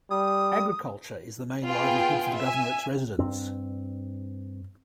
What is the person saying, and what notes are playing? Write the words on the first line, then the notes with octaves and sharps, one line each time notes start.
Agriculture is the main livelihood for the governorate's residents.
G3 D#6
B3 F4 G#4 G5
E5 G#5
G2 C4